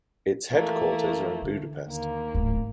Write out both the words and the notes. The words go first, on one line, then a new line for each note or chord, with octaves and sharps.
Its headquarters are in Budapest.
E3 A3 A#3
D3
D#2 A#3
D1 G#1